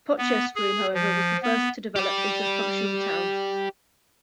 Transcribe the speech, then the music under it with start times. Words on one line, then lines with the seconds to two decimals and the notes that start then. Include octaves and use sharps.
Potchefstroom however was the first to develop into a functional town.
0.18 B3
0.55 G#4
0.94 F3
1.42 B3
1.96 G4 D5